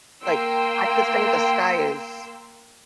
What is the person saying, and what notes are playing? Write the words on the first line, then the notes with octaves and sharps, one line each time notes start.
Like, I could say the sky is,
A#3 G5 C6 E6